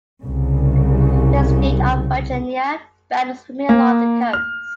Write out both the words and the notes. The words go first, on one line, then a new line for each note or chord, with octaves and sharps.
The State of Virginia banned swimming along the coast.
C2 C#3
A#3
F6